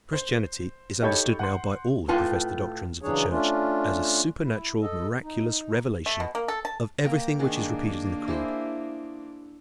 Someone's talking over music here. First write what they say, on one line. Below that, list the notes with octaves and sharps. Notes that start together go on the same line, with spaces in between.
Christianity is understood now by all who profess the doctrines of the Church as a supernatural miraculous revelation of everything which is repeated in the Creed.
C5
D#4 G4 A4 C#5 B5 G6
F#5 C6
A2 C4 F4 B4 G#5 A5
C#3 E3 F#3 D4 G#4 C#5
A3 C#4 D4 F4
E4
A4 D#5
D#4
A3
B2
A#3
A4
A5
A#3 G5 A#5
D#3 A#3 D4 G#4 F#5
E4 G#4 C5